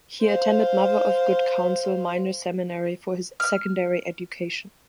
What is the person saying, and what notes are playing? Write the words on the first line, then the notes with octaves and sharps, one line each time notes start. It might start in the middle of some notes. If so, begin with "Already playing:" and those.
He attended Mother of Good Counsel Minor Seminary for his secondary education.
C5 F5
F6